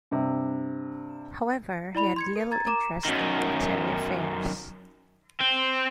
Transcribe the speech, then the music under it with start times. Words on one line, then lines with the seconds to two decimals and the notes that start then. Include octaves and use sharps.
However, he had little interest in military affairs.
0.11 G2 C3
1.95 E4 D5 B5 F7
2.16 C6 G#6 C#7
2.36 A#4
2.51 A#5 G#6 A6
2.66 A#4 A#5 D6 E7
3.05 F#2 D#3
5.40 C4